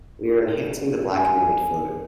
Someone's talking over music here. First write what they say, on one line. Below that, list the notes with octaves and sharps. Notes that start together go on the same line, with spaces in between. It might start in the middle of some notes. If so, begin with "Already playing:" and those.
We are enhancing the black and white photo.
G#5